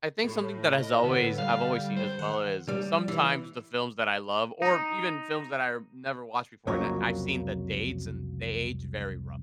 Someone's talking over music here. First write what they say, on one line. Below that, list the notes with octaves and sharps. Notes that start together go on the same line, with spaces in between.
I think something that has always I've always seen as well is, sometimes the films that I love or even films that I've never watched before, and I I've seen the dates and they age very roughly.
A2
D#5
D3 B3
G3 F5
C5
D#3 F#5
G3
E3
D#4
C2 F2 C#3 F#3 A#3 C#5